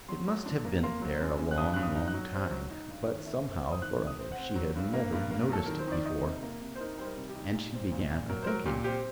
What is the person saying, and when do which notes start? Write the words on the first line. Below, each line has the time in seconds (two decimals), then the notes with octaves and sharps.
It must have been there a long, long time, but somehow or other she had never noticed it before, and she began a-thinking.
0.09 F#3 C6
0.28 F#3
0.46 D4
0.65 A#3
0.83 A#3 C6
1.02 F#3
1.21 F#2
1.39 F#2
1.51 F#6
1.57 G2 D#6
1.74 G2 F#6
1.83 D#6
1.95 D#4
2.08 F#6
2.14 F#3
2.33 C4
2.52 F#3
2.70 D#4
2.89 G2
3.07 D#3
3.26 A3
3.45 C4
3.62 C4
3.72 D#6
3.82 D#3 F#6
4.00 C3
4.07 D#6
4.19 C4
4.32 F#5
4.37 C4
4.56 F#3
4.75 G2
4.93 A#3
5.12 G2
5.31 A#3
5.50 F#3 A4
5.66 D#3 A#4
5.79 C5
5.87 D#3 D5
6.05 D#4 D#5
6.24 C3
6.43 A#3
6.61 C3
6.75 C5
6.80 D#4 A#4
6.98 G3 C5
7.05 A#4
7.17 C3
7.29 G4
7.35 D#4
7.54 A#2
7.74 C4
7.92 A#2
8.11 A#2
8.30 F#3 A#4
8.43 C5
8.47 F#3 A#4
8.66 A#2 G4
8.84 C4 G4